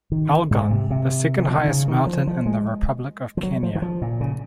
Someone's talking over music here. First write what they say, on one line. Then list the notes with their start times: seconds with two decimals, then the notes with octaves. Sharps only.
Elgon, the second highest mountain in the Republic of Kenya.
0.12 D#3
0.51 G#2
0.61 A#2
0.71 C3
0.90 C3
1.39 F#3
1.48 F3
1.58 D#3
1.68 C#3
1.88 D#3
2.07 F3
2.27 F3
2.46 G#3
3.37 F3
3.43 F#3
3.63 F3
3.75 D#3
3.82 F3
4.02 A#2
4.21 C#3